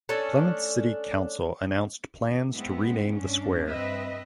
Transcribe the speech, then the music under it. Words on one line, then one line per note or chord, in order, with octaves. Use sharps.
Plymouth City Council announced plans to rename the square.
A3 C#4 D4 A4
G#3 B3 C4 E4
G2 C#4 D4
G2 C4 B4 D#5 E5